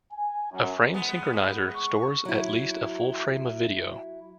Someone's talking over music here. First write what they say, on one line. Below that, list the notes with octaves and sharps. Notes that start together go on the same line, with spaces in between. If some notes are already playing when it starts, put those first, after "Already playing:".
A frame synchronizer stores at least a full frame of video.
G#5
F#2
G#3 B3
C#6
F#3 E4